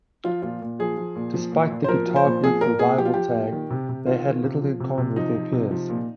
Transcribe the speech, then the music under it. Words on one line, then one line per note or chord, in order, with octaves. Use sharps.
Despite the "guitar group revival" tag, they had little in common with their peers.
F3 F4
A#2 F4
A#2
F3 G#4
F3
A#2
F3
A#2
A#2
C5
F3 A#4
F3
C5
A#2
F3 G#4
A#2 A#4
A#2 G#4
F3 G4
F4
F3 G4
A#2
D#3
C3
C3
D#3 F4
D#3
C3
F3
C3
C3
F3 D#4
F3
C3
F3
A#2